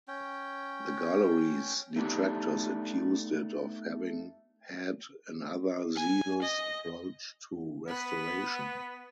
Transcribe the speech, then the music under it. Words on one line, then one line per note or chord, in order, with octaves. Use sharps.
The Gallery's detractors accused it of having had an over-zealous approach to restoration.
C#4 G5
A3 B3 D4 D#4 G4
G#5
D#5
B3 B4